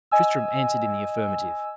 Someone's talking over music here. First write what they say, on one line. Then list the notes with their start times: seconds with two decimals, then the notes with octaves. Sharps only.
Tristram answered in the affirmative.
0.11 D#5 G#5 E6